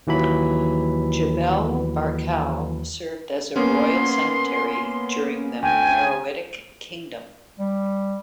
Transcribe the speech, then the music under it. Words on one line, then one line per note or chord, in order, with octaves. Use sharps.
Jebel Barkal served as a royal cemetery during the Meroitic Kingdom.
D#2 E3 F#3 B5
A#3 B3 C#4 C6
D2 G5 G#5
G3